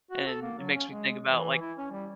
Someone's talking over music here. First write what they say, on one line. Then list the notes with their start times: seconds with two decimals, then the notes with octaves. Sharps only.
And it makes me think about, like,
0.11 F#4
0.27 A4
0.42 A#3
0.58 F#3
0.75 C#4
0.92 G#3
1.26 E3
1.61 E4
1.77 C#4
1.91 G3